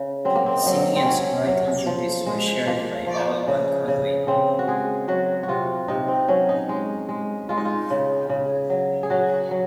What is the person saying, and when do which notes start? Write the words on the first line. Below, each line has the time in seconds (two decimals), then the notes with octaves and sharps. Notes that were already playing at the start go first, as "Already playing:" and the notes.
Singing and songwriting duties were shared by all but Conway.
Already playing: C#3
0.25 F#3 C4
0.36 A#3
0.46 C4
0.66 F#3
0.96 C4
1.06 F#3 C#4
1.47 F#3
1.86 F3
2.27 G#3
2.66 F3 A#3
3.07 F3
3.47 C#3
3.88 C#3
4.27 C#3 C4
4.59 F#4
4.67 G#3 G#4
5.08 F#3 F#4
5.43 F#4
5.48 C3 F4
5.88 C3 D#4
6.08 C4
6.28 F#3 C#4
6.49 D#4
6.69 G#3
7.09 G#3
7.49 G#3 F4
7.57 D#4
7.65 F4
7.90 C#3
8.29 C#3
8.70 F#3
9.03 G#4
9.10 F#3 F#4
9.51 F#3